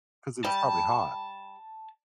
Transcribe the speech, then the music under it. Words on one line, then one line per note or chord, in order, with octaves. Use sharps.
'Cause it was probably hot.
G3 A5